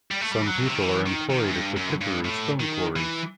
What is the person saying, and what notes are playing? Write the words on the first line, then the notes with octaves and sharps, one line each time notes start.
Some people are employed at the Tiperu Stone Quarries.
G3
A3
G3
E3
F#3
B2
C3
D#3
E3
D#3
D#3
F#2
G2
F#2
G2
A2
D#3
E3